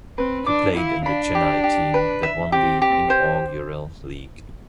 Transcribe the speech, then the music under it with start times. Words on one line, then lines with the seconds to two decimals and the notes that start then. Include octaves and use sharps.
He played in the Chennai team that won the inaugural league.
0.18 C4 B4
0.46 D4 D6
0.76 E4 F5
1.05 D4 B5
1.35 G4
1.64 G4
1.94 B4
2.23 E5
2.52 C4 G4
2.82 G4
3.10 C5